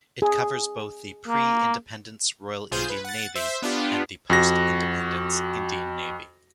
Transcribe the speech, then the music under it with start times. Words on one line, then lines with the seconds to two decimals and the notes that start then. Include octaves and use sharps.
It covers both the pre-independence Royal Indian Navy and the post-independence Indian Navy.
0.22 G#4
1.28 A#3
2.71 B1 F4 G#4 C5 G#5 G6
2.89 B4
3.04 F#5 A6
3.35 C5 E5
3.62 B3 D4 F4 G4
4.30 F2 F#4 A#6